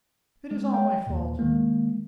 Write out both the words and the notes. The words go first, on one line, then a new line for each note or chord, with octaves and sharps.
It is all my fault.
G#3
C#5 G5
D#2 A#2
D#3 G#3 A#3